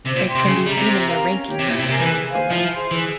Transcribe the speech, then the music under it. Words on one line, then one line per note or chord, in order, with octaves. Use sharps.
It can be seen in the rankings shown below.
C3 C5
A#2
E5 G5 C6
C3
C#3 G#4
G3 E5 A#5
C3
G4
A#4 F5 A#5
C#4
G4 C#5 G5
C3
A#2 E4
C3
C3 A#4 E5 G#5
E3
G#4
C5 F5 G#5
F3 E4
G#4 C5
E3 G#4